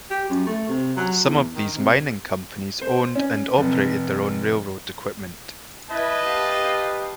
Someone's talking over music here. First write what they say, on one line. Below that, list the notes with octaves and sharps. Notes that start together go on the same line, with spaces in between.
Some of these mining companies owned and operated their own railroad equipment.
G4
F#2
A3
C3
F#3
E2
D#3
C3
C5
C#4
F1
E4 B4 D#5 A5
G4 F5